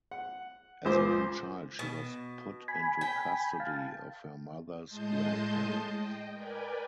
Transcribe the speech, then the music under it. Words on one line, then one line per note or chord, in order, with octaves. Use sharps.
As a young child she was put into custody of her mother's grandparents.
F#5
C#2 A#2 C5 C6 D6
B2
G#5 B5
G5
F5 A5
A2 G#3 D#5 A5 C6 G6
D#5 G5
A#4 B4 D5 G5 G#5